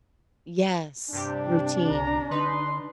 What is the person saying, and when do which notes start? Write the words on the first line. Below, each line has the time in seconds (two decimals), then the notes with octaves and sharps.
Yes. Routine.
1.13 G2 C3 D4 G4
1.91 C2 A#5
2.31 D3 D#4 B4 C6